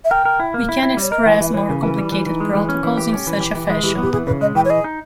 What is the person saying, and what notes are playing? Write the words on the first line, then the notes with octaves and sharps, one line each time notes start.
We can express more complicated protocols in such a fashion.
E5
A#4 G5
A#4
E4
A#3
E4
E4
G3 C#5
A#4 D#5
E5
E3 G5
E3 E5
B4
E3 C#5
C#3 A#4
E3 A#4
G3 E4
E3
D#4
E3
G#3
E3
C#4
E3
G4
C#4
E3
G4
E3 E4
G#3
E3 G4
B3 G4
E3 G#4
C#3 B4
G#3 D#5
E3 G5
C#5
G#4 D#5
D#4